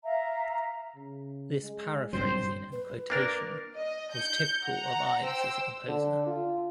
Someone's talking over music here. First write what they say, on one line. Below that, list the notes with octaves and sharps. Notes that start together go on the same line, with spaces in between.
This paraphrasing and quotation was typical of Ives as a composer.
E5 F5 A#5
C#3
G#3
G2 A#2 F#3 C4 C5
B4
A#3 D4 A#4 F6 A6
D#5
G6 C#7
F#5 A#5
C5 G5 E6
D3
F4